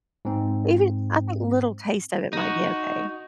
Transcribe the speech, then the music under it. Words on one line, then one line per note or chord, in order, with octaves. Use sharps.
Even I think little taste of it might be okay.
G#2 C4
D#4 F#4